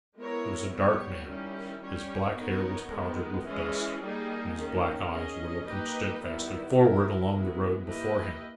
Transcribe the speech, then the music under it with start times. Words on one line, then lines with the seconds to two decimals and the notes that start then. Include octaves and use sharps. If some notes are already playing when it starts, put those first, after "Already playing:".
He was a dark man, his black hair was powdered with dust, and his black eyes were looking steadfastly forward along the road before him.
0.17 G#3 B3 E4 A#4 C#5
0.72 G3 B3 G4 C#5
1.27 D#3 G3 C#4 E4 G4
1.81 G3 C#4 G4 C#5
2.37 B3 D#4 A#4 C#5
2.92 D#3 G#3 B3
3.46 E3 G#3 C#4 G#4
4.01 G3 A#3 D#4 G#4
4.57 D#3 A#3 C#4
5.11 C#4 G#4 D#5
5.65 A#3 D#4 G4 B4 D#5
6.21 D#3 G3 B3 E4
6.76 B3 E4 A#4
7.31 G#3 B3 E4
7.85 A#3 E4 G4 B4 D#5